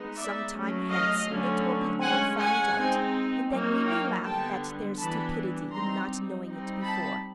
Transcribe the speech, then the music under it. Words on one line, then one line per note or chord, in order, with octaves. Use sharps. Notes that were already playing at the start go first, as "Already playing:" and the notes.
Some time hence it will be all found out, and then we may laugh at their stupidity in not knowing it before.
Already playing: G#3 B3 D#4
D5 E5
F#3 A3 C#4
D#5 F5
D3 F#3 A3 C#4
G#3 C#4 F#5 G#5
F#5 G#5
G#3 C4 D#4
F#3 A#3 D#4
F5 G5
D3 G3 B3 G5 A5
E3 G3 B3 D4 A5 B5
G3 C4 D#4 A#5 C6
G3 C4 D#4
A5 B5